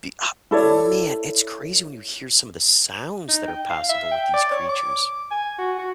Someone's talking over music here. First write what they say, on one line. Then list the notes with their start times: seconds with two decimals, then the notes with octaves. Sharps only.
The, uh man, it's crazy when you hear some of the sounds that are possible with these creatures.
0.51 E4 A4 C#5 D5
3.28 D#4
3.48 G5
3.69 F5
3.89 E5
4.11 G5
4.34 D5
4.51 C#5
4.69 D6
5.31 G#5
5.59 F#4
5.79 F#4